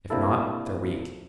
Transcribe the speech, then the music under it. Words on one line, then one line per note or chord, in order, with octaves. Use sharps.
If not, they're weak.
C3 A#3 D4 E4 A4